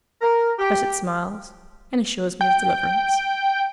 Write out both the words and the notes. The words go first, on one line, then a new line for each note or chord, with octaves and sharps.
But it smiles--it assures me of deliverance.'
A#4
G4
G5